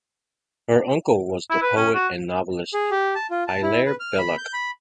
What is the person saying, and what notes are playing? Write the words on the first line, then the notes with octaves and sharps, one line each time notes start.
Her uncle was the poet and novelist Hilaire Belloc.
E4
B4
C#4
F#4
G#4
G4
A5
F4
A5
E4
B4
F6
B5
G6
B5